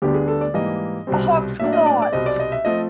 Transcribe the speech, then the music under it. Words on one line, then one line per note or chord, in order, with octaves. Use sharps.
A hawk's claws.
D2 D3 G3 B3 D4 G4
G#4
A4
D5
G#2 E3 G3 A#3 D#5
C2 B2 G3 C4
A2 F#3 A#3 D4 E5
D#5
D5
D5
C2 B2 G3 C4 D#5
D5
D#5
E5
F3 A3 C4 D#5